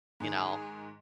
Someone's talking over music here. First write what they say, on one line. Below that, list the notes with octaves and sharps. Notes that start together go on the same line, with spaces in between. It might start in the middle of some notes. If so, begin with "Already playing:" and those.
you know?
G#2 D#3 G#4